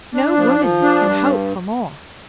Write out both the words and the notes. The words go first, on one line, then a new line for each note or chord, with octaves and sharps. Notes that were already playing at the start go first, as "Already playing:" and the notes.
No woman can hope for more.
D4
F3
F3
D4
G2